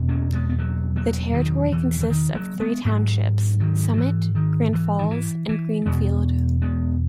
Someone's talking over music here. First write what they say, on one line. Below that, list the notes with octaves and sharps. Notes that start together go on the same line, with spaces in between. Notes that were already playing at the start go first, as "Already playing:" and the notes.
The territory consists of three townships: Summit, Grand Falls, and Greenfield.
Already playing: E2 B2
A#3 C#4
G#3 B3
B3
F#3 A#3
F#3 A#3
D#3 F#3
E3
E3
D#3
F#3 A#3
G#3 B3
G#2 F#3 A#3
D#3 F#3
F#3
E3
D#3
E3
D#3
E3
E3
E2 B2 G#3 B3
G#3 B3